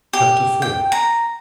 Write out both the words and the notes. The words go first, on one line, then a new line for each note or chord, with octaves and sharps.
Chapter IV.
G4
G5
A#5